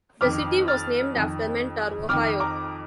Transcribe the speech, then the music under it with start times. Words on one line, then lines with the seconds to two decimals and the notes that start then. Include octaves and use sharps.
The city was named after Mentor, Ohio.
0.21 F2 D#3 D6 F6
0.68 F6 A6
1.15 F2 D#3
2.08 F2 D#3 D6 F6
2.40 A#5 D6